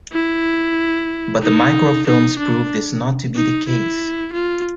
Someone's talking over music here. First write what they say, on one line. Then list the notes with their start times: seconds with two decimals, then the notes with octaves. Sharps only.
But the microfilms prove this not to be the case.
0.12 E4
1.42 D#4
2.06 D#4
2.39 D4
3.36 D#4
3.68 E4
4.33 F4